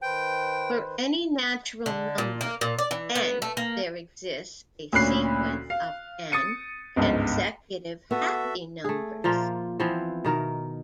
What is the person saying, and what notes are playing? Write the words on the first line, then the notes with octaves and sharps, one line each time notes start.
For any natural number "n", there exists a sequence of "n" consecutive happy numbers.
D#3 B4 C5 G5
D3
A#2
A#3
A#2
D5
E3
B3
A3
A#3
D2 A#2 C#4 B5 F#6 C7
F5
D#6 A6 C#7 D#7
G1 C#2 G#2
B3 F#4 A4 E5
A3 G#4
A#2 F3 F4 A#4
E3 F3 B3 C4
B2 D#3 A#4